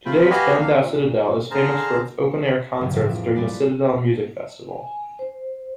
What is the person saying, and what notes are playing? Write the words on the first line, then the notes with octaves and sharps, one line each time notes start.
Today, Spandau Citadel is famous for its open-air concerts during the Citadel Music Festival.
A3 C4 F4 G5 B5
F#4 G4 B4 D#5 F5 G#5
A#3 D4 F5
A#2
D3 G#4 C5 A5 A#5 F6
A1 G2 C#3 E3 F#3 A3
A2 F3 D4 G#4 E5
F2
G3 G#3 D4 B4 D5
G#5
C5